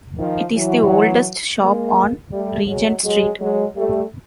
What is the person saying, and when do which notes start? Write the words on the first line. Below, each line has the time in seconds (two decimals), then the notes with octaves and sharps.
It is the oldest shop on Regent Street.
0.17 D#3 F3
0.53 E3 F#3
1.60 G#3 A#3
2.32 G3 A3
2.67 F#3 G#3
3.04 F#3 G#3
3.39 F#3 G#3
3.76 G3 A3